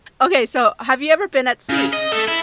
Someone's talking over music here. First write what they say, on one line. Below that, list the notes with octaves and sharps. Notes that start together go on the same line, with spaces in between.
Okay, so have you ever been at sea?
C#3
D#5
A3
E4